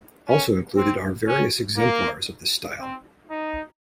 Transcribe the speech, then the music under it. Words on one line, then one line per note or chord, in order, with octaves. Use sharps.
Also included are various exemplars of this style.
C#4
C4
C#4
A#3
C4
D#4